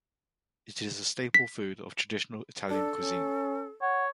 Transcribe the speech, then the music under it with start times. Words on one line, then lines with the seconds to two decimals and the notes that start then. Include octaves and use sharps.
It is a staple food of traditional Italian cuisine.
1.34 B6
2.70 D4 A4
3.00 C#4
3.82 C#5 F#5